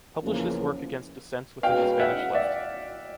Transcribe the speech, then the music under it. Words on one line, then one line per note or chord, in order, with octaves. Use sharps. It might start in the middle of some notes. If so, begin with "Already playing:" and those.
Publish this work against dissents within the Spanish left.
E2 C#3 F3 A#3 C#4
B2 G#3 C#4 F#4 B4 F5 G5
E5 F#5
D5 E5